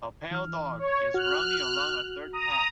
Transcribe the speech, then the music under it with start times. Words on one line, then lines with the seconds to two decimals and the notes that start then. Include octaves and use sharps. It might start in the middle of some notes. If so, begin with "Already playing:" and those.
A pale dog is running along a dirt path.
0.31 E3 F6
0.79 C#5
1.14 F#4 F6 F#6
2.33 A#5 D#6